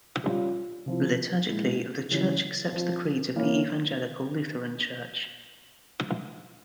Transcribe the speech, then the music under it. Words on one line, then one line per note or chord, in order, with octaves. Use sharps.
Liturgically, the church accepts the creeds of the Evangelical Lutheran church.
G3 C#4 F4
C3 F3 C4 E4
A#2 G#3 E4
C#3 E3 G3 C#4
F3 C4 F4
E3 A#3 C#4 E4